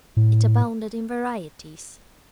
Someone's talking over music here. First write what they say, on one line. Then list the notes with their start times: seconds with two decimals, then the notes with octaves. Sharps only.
It abounded in varieties.
0.17 A2